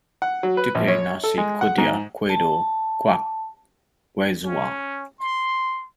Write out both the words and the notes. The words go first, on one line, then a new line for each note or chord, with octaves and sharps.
Tipei nhasi kudya kwedu kwakwezuva.
F#5
F#3
B4
A#1
C#5
A4
G#3
F#5
G#2
A5
C#4
C6